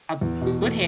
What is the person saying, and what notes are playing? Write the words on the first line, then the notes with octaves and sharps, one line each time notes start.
a good
E2
B2
A3